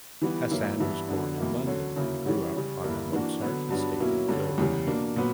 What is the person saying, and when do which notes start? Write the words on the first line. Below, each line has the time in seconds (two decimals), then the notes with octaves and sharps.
Hassan was born in London and grew up on the Mozart Estate in Kilburn.
0.22 E3 G3 B3
0.51 F#2 E3 A#3 E4
0.80 G2 E3 B3 E4
1.08 D3 F#3 B3 D4
1.38 E2 B2 A#3 E4
1.67 D3 F#3 C#4
1.96 C#3 F#3 A#3 E4
2.25 E3 G3 C#4 F#4
2.54 C#3 G3 C#4
2.84 G2 D3 A#3 E4
3.12 E3 A#3 D4 F#4
3.42 D3 F#3 B3
3.71 G2 F#3 B3 D4
4.00 B2 F#3 A#3 C#4 E4
4.28 G2 D3 G3 C#4
4.58 E2 C#3 G3
4.87 B2 A#3 D4
5.16 A#2 F#3 B3